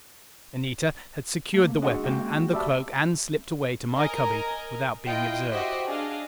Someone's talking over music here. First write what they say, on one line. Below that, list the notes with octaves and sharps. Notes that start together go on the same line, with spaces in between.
Anita had secured the weapon and the cloak and slipped away to my cubby without being observed.
A3 A#3
G#3 D4 F#4 F#5
G#3 A#3 C#4 F#4 F#5 G5
G3 E5 A5
A#4 D#5 G#5 A#5
E4 F4 D#5 G5
F#4 G4 C5 D#5 E5
D4 G#4 D#5 F5